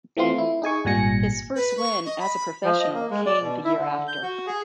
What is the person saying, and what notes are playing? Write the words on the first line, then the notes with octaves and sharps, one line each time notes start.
His first win as a professional came the year after.
E3 A3 C4 F4 C6
E4
D#4 G#4 G#5 C#6
G#1 A#2 G3 G#5 A#6 C#7
B4
C#6
D#5
B5
F3
D#5
A#3
G#3
D5
B2
E4
D3
G6
F#4
G#4